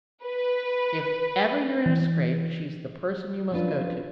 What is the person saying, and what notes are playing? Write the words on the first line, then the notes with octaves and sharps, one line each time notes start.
"If ever you're in a scrape, she's the person you must go to."
B4
E3
F3 C#4 D4 F4 B4